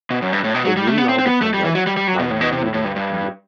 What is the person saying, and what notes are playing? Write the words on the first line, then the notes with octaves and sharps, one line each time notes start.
it really all depends, like, my mood and, like w
B2
F#2
G2
A2
B2
F#3
G3
A3
B3
C4
C4
B3
A3
G3
E3
F#3
G3
G3
F#3
B2
A2
B2
C3
A2
A2
G2
G2